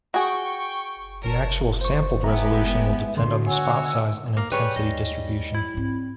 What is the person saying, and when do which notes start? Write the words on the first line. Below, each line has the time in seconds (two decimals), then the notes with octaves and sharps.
The actual sampled resolution will depend on the spot size and intensity distribution.
0.14 F#4 G#4 G5 C#6
1.23 A#4 C#5 A5
1.81 C5 C#6
2.24 G#3 B3 G4 E5 G#5 A#5
3.17 B2 D3 C6
3.46 F#4 C#5 F#5 G#5 E6
4.37 A#3
4.52 G3 G#4 B4 C#5
4.76 D#2 D#5
5.55 E4
5.74 G#2 C4